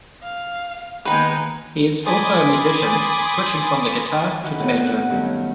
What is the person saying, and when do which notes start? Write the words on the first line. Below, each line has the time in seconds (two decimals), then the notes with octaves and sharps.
He is also a musician, switching from the guitar to the banjo.
0.23 F5
1.05 D#3 G#3 A#3 B3 D#4 B4 G5
2.06 G#5 B5 C6 D6 D#6 A6
4.43 D#3 E3 F#4 B5 F#6
4.59 A2 C3 B3
4.85 D4 F#5
5.10 G2 D#3 F#3 A3 C#4